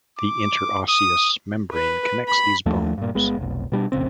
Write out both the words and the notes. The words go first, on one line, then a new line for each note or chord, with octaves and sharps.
The interosseous membrane connects these bones.
D6
D#6
B4
B5
D#2 F3 A3 D4
G2 A#2
G1 G#3 B3
F1 B1
B2 G3 D4
F1 A#1 C#3 C4